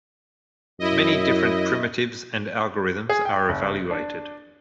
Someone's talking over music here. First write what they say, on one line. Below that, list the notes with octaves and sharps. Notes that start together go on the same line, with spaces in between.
Many different primitives and algorithms are evaluated.
F#2 E4 D#5
G#4
G5
F#1
D4